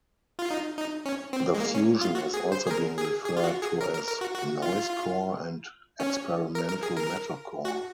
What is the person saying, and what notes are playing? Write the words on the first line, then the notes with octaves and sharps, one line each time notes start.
The fusion has also been referred to as noisecore and experimental metalcore.
F4
D#4
D#4
C#4
C4
G#3
A#3
C#4
F4
F#4
G#4
C5
G#4
A#4
G#4
G#4
F4
F#4
G#4
A#4
A#4
A#4
F#4
F#4
F4
C#4
A#4
A#4
G#4
A#4
F#4